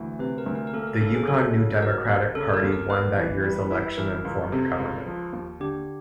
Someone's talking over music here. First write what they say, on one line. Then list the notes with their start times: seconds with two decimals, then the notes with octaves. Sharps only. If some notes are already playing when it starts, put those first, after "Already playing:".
The Yukon New Democratic Party won that year's election and formed government.
Already playing: D2 E3
0.19 C3 B4
0.38 A#4
0.46 D2
0.55 A#4
0.67 A#4
0.73 A#3 A4
0.87 A#4
1.01 C#3 A4
1.15 G#4
1.27 F#3 A4
1.54 C#3
1.82 F#3 A#4
2.08 D#2
2.35 C#3 A4
2.54 A#4
2.63 D#2
2.72 A#4
2.90 B3 B4
3.17 E3
3.44 G3
3.71 E4
3.97 E3 A#4
4.25 C#2
4.52 C3 A4
4.79 C#2
5.06 F3
5.33 D#2
5.60 D3 G4